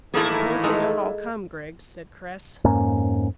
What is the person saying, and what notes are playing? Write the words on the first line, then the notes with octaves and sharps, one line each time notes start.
"But suppose they don't all come, Griggs?" said Chris.
A2 D#3 E3 A#3 E4 G#4 A4
G#3 D#4 A4 A#5
F2 G#2 A#3 C#4